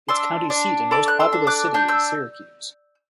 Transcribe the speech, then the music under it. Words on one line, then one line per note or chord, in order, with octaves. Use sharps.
Its county seat and most populous city is Syracuse.
D4 C6 E6
D4
A4 B5 D6
F#6
C6 E6
D4
D6 F#6
D4 G6
E6 G6